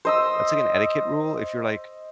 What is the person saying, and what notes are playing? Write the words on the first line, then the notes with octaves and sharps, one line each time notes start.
that's, like, an etiquette rule, if you're, like
C5 D#5 E6